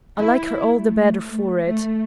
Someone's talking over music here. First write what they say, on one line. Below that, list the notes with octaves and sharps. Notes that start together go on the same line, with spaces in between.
I like her all the better for it.
E4
A3
A3